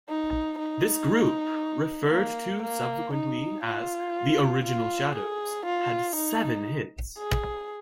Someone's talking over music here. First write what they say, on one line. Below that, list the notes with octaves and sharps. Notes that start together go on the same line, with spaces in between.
This group, referred to subsequently as "the Original Shadows", had seven hits.
D#4
D#4
A#3
A#3
D#4
F4
F4
G#4
F4
D#4
G#4